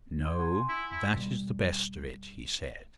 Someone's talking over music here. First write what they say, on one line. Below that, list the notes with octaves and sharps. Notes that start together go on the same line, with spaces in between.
"No--that is the best of it," he said.
C5 C#5
F#5 G#5 C6
E4
E4
E1 B2 G3